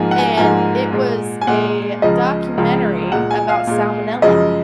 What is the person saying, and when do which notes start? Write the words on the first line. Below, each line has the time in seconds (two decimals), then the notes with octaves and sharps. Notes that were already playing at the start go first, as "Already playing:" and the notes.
and it was a documentary about salmonella.
Already playing: G#2 F3 A#3 G#5
0.11 F#5
0.19 G#5
0.37 G#2 F3 A#3 G#5
0.92 A#2 G#3
1.41 G#5
1.47 A#2 G#3 F#5
2.02 C#2 C#3 F3 G#3 D#5
2.57 C#2 C#3 F3 G#3
3.12 A#2 G#3 F#5
3.31 G#5
3.49 F5
3.67 A#2 G#3
4.22 F#2 C#3 F3 G#3 D#5